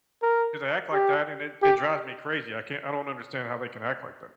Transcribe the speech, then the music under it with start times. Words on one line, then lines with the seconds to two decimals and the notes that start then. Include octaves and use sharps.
'Cause they act like that, and it it drives me crazy. I can't I don't understand how they can act like that.
0.22 A#4
0.93 G4
1.63 G4